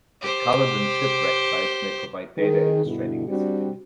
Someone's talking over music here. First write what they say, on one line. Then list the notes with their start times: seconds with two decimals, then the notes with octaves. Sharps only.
The Culloden shipwreck site may provide data illustrating this activity.
0.21 G4 C5
2.37 D#3 G#4
2.84 G2 B2 D3 E4
3.27 G3 C4 D4 F#4